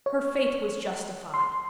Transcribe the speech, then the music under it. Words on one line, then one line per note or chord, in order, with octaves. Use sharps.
Her faith was justified.
C#5
C6